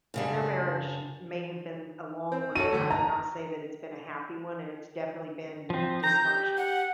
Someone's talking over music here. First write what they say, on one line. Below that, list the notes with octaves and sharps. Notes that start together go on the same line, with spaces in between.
And their marriage may have been a long one, but I would not say that it's been a happy one, and it's definitely been dysfunctional.
F#2 C#3 D4
C4
F#4 A4 C#5 D#7
D3 A3
A5 A#5
F3 C4
A#5 G6
G4
F#5